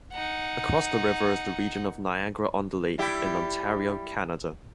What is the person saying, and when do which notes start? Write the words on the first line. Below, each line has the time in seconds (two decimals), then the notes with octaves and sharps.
Across the river is the region of Niagara-on-the-Lake in Ontario, Canada.
0.13 D#4 F#5
2.98 G3 E4 G4